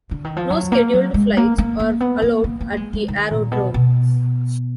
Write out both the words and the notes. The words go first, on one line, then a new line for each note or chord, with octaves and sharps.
No scheduled flights are allowed at the aerodrome.
D3
D#3
F3
F#3
A#3
F#3
G#3
A#3
A#3
A#3
B3
A#3
A#3
A#3
G#3
G#3
D#3
A#2
B2
B2